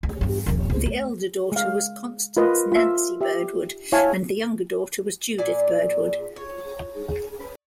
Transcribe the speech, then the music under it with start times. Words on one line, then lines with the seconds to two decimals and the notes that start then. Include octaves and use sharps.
The elder daughter was Constance 'Nancy' Birdwood, and the younger daughter was Judith Birdwood.
0.03 D2
0.21 E2 G2
0.46 D#1 A#1
0.70 C#2
0.86 A3
1.52 G#3 F5
2.37 F4 A#4 B4 D#5
2.72 F4 E5
3.21 G4 E5
3.92 E4 C#5 F5 G#5 A5
5.38 A#2 D5 G#5
6.36 C#5